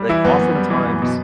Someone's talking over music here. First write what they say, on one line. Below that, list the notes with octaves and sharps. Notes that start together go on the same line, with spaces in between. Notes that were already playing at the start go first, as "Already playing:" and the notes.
like, oftentimes,
Already playing: G3
E3 E4
F#2 B3
F#2
G3
E3
F#2
B2